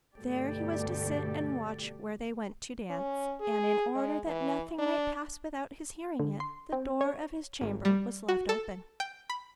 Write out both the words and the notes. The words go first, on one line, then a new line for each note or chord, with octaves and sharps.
There he was to sit and watch where they went to dance; and, in order that nothing might pass without his hearing it, the door of his chamber was left open.
D2 G2 B2 G4 A4 D5
C#4
G#4
G#3
E3
D4
D3
C6
C4
C#5
G#1
G3
F#4
A4
G5
B5